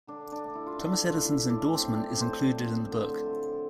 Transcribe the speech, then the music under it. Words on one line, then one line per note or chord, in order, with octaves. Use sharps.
Thomas Edison's endorsement is included in the book.
D3 D4
D4
A3
E4
F4
D3 E4
F4
A3 E4
A2 D4
C4
F3 A3
D4
A2 C5
F3 A3
D3
F3 A3